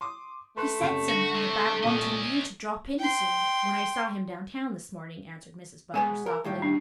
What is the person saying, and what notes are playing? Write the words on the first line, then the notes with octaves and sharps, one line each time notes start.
"He said something about wanting you to drop in soon, when I saw him downtown this morning," answered Mrs. Butler softly.
C6 D6 D#6
A3 B4 C6 F#6
F#1 C3 G6
D3 F#4 A#6
C3
C2 A#2 C#4 D#5
G5 C6
B2 G#3 B3 G#4 G#5
A#4
D#2 A2 G3
D4